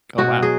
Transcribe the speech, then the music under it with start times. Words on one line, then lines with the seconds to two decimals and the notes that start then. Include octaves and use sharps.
Oh, wow.
0.18 B2 F#4
0.42 F#3 G#4